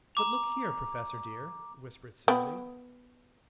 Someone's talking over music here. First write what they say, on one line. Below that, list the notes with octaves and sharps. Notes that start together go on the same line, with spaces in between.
"But look here, Professor dear!" whispered Sylvie.
A#5 D6 F7
B3 G5